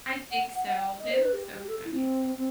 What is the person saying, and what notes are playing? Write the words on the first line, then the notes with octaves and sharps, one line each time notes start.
I think so, they look so funny.
F#5
F#5
F#5
G5
D#5
C5
B4
G4
A4
E4
C4
C4